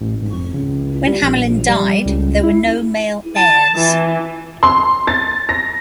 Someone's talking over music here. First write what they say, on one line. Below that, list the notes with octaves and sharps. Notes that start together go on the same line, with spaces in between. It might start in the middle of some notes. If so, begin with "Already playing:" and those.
When Hamelyn died, there were no male heirs.
A1
G#1
F1
C#2
G3
A#1
G3
C#2
E4
A5
E3
C6
A6
A#6